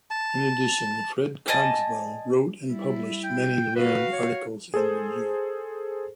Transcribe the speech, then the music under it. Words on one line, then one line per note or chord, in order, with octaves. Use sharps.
In addition, Fred Cogswell wrote and published many learned articles and reviews.
A5
D5 D#5 G#5 A5
G3 E4
G5
F#4 B4 F5
C#5
G#4 A4 C5